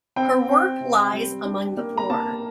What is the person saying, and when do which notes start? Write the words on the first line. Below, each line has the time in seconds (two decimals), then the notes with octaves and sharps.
Her work lies among the poor.
0.16 C4 G5
0.49 C4
0.80 C3
1.13 G3
1.45 D4
1.77 A#3
1.98 A#5
2.10 A#3 A5